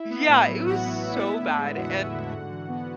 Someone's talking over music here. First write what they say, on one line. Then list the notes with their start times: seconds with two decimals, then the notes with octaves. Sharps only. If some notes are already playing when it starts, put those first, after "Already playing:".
Yeah, it was so bad, and,
Already playing: E4 E5
0.10 B3
0.28 A2
0.47 F#3
0.65 A1 F#4 F#5
0.84 B3
1.03 A2
1.12 D5
1.20 B3 E4 E5
1.40 D3
1.58 G#3
1.76 E2 F#4 F#5
1.95 B3
2.13 D3
2.32 G#2
2.50 E3
2.68 B3